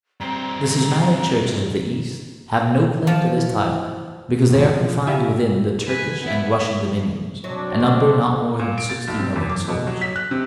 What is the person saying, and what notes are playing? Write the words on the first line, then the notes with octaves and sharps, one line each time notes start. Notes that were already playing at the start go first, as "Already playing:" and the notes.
The Schismatic churches of the East have no claim to this title because they are confined within the Turkish and Russian dominions, and number not more than sixty million souls.
G2 C4 A#5
F3
E3 E4
G#1 E2
F3
D#4 E4 G4 E5 F5 G#5
B4 G#5
B3 E4
F#3 C4 D4
C3 G#3 A#3 C5
A#2
D7
A6
B1
C3
E2
D6
B2
F#3
B6
F#6
C3